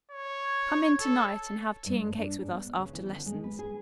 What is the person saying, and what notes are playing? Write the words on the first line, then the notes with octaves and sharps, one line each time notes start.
Come in to-night and have tea and cakes with us after lessons.
C#5
A4
G2
D4
G#2
B3
C#3
E3
D3
G#3
B4
G#4